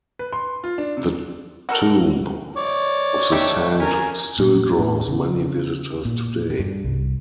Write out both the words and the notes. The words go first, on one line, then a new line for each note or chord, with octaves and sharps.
The tomb of the saint still draws many visitors today.
B4
C6
F4
D4
C3
F#4 A4 A#4
C#5 D5
A3 D#4 G4
C#4 A#4 G#5
A#2
A2
C#3
A#2
G2
C2